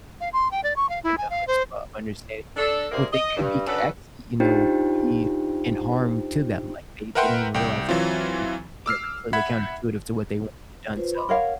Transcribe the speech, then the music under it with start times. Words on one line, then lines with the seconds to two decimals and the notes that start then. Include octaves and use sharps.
in the chutzpah of understanding that what they could be could actually, you know, be in harm to them. Like they they don't even realize that it could be, you know, completely counterintuitive to what they want to get done, so,
0.20 F5
0.33 C6
0.51 G5
0.64 D5
0.76 C#6
0.89 F5
1.03 E4
1.18 G#5
1.30 F5
1.47 C5
2.57 D4 A4
2.92 D#2 C3 G3 A#3 G#4 C5
3.13 D#5
3.36 G2
3.67 C#3 F#3 D4 A4 B4
4.40 D4 D#4 F4 G4 C5 G5
7.15 A#4 B4 E5 F#5 G5 C6
7.54 C2 G5
7.89 E3 F#3 C4 F4
8.86 D6 E6 F6 C7
9.33 E5 F#5 B5 G#6
10.96 F4 B4 C5
11.15 B5 C6 D6
11.29 A#4 C#5 F5 F#5